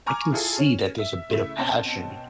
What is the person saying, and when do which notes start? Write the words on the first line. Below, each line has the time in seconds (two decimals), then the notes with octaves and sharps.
I can see that there's a bit of passion
0.06 G#5 A#5 C#6 D6 F6
0.31 E4 F4 G#4 A4
0.58 C#4
0.98 E5
1.29 C#3 A3 E4 E5
1.58 B2 C4 C#4 A5